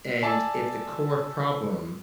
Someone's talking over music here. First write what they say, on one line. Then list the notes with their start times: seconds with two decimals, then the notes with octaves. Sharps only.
and if the core problem
0.23 D5 E5 G#5 A5